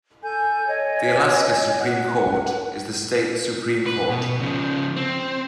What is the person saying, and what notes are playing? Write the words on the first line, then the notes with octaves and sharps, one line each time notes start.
The Alaska Supreme Court is the state supreme court.
A4 G#5 G6
C#5 D#5 G#5
F#5 F#6
B4
B2
C#3 F3
C4